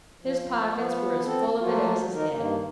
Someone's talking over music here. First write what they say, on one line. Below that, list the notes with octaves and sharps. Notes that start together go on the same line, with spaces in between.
His pockets were as full of it as his head.
F3
F3 B3
C4 A4
F3 F#3 A3 A#3 F4 F#4
D#3 D#4 A#4
G2 D#3 A#3